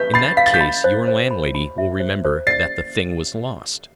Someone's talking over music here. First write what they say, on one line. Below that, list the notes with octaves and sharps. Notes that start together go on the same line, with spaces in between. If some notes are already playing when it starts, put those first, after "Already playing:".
"In that case your landlady will remember that the thing was lost?"
Already playing: B4 G6 B6
B5 A6 C7
F5 B6
A6
G6 B6
B5
C5
C5
B5
B5
E5
C5
C5
D5 A6 C7